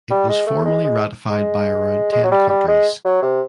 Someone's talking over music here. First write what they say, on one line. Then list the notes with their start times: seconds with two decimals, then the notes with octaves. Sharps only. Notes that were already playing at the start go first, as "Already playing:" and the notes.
It was formally ratified by around ten countries.
0.11 G3
0.29 G#3
0.47 A3
0.65 G#3
0.84 G#3
1.30 G#3
2.12 G#3
2.24 F#3
2.31 G3
2.49 G3
2.68 G#3
3.05 F#3
3.22 C3